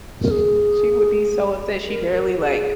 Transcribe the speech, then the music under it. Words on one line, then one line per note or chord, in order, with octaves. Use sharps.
sh she would be so upset. She barely, like,
A#4
G#4
A#4
A#4
G#4